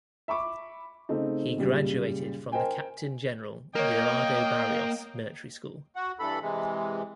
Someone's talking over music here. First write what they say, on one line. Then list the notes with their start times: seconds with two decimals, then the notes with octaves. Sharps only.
He graduated from the Captain General Gerardo Barrios Military School.
0.28 E5 B5 C#6 D6
1.09 C#3 A3 C4 D#4
1.56 F#2 A#2 C#3 G3
2.52 A#4 C5 D#5 G5 G#5
3.75 A#3 A#4 C#5 D#5 G5
5.96 F#4 F#5
6.19 G2 E3 A4 B5
6.42 C3 E3 G#3